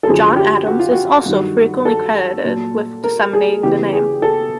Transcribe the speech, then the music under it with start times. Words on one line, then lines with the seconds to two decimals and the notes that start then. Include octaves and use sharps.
John Adams is also frequently credited with disseminating the name.
0.03 A4
0.07 F#2 D3 F3 G#4
0.37 G4
0.67 F#4
0.79 F4
0.92 F#4
1.26 G2 D#3 F#3
1.85 A4
2.44 A#2 F#3
3.04 A#4
3.33 G#4
3.63 E2 C#3 E3 G4
3.93 G#4
4.22 A4